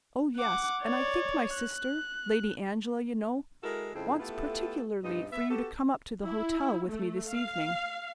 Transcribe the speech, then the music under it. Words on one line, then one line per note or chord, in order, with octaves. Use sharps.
Oh, yes, and I think my sister--Lady Angela, you know--wants particularly for you to come up to the hotel with me this evening.
F#5 D6
C#5 D5
F#6
G#3 E4 F#4 A4 A#4
F2 C#3 G#3 C4 E4
A3 B3 E4 F4 G4 A4
G2 A#2 B3 D#4 D#5
B3 E5
B3 F#4 G4 A4
E4
A3
F5